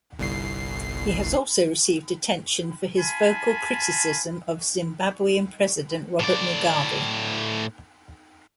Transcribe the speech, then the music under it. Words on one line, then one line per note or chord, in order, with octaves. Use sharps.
He has also received attention for his vocal criticism of Zimbabwean president Robert Mugabe.
G1 C2 C7
F4 G#5 A5 B5
A2 D5